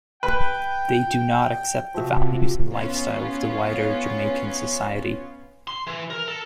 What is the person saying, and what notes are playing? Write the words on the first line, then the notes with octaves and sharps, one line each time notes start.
They do not accept the values and lifestyle of the wider Jamaican society.
B4 G5
C3 F3 F#4 E5
B3 C#4 F4
C6
E3
A#4
A4